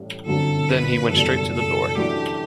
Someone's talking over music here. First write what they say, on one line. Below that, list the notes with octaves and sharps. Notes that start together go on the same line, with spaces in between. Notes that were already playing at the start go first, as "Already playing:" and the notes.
Then he went straight to the door.
Already playing: A1 A2 G3
G1 F#2 D3 F#3 C4 A4
B4
F#1 E2 B2 G3 A4
A4
F#2 E3 A3 D4 F#4 G4